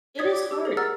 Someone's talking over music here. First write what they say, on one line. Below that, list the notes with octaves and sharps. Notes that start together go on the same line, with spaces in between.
It is hard.
C#5 D5 D#6 G#6 B6
D6
G4 E6
G#4 A#4 D#6
F#5 A#5 E6 F6 A6